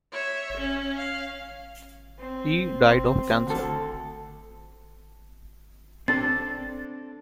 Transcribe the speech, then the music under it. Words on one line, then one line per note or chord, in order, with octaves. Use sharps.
He died of cancer.
C#5 E5
C#4
F5
C4
D2 A4
C4 D4 A4 A6